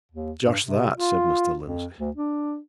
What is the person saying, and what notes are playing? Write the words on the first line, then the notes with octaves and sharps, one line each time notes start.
"Just that," said Mr. Lindsey.
D#2
G2
C3
F4
F2
D2
D4